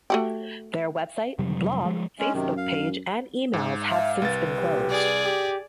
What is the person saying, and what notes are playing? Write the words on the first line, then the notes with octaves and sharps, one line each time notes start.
Their website, blog, Facebook page, and emails have since been closed.
A3 F#4 G4
F2 C3 F#3 G3
F3 G#3
G#3 C#4
F#2 C3 D#3
F5
G#2
E5 F5
C2 B4 A6
G4
G#4 D5
G4